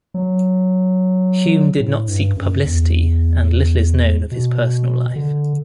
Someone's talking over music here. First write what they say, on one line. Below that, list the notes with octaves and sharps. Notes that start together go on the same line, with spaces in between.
Hume did not seek publicity and little is known of his personal life.
F#3
A2
G2
F#2
E2
B2
D3